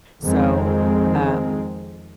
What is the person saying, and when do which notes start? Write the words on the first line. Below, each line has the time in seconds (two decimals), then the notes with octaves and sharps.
So, um,
0.22 F2 D#3 G#3 C4